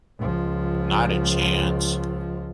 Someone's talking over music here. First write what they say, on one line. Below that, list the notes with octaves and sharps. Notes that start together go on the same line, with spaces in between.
Not a chance.
C#2 F3